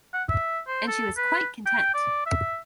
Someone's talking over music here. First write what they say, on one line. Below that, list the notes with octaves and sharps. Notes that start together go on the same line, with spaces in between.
And she was quite content.
F#5
E5
C5
A4
B4
G5
D5
E5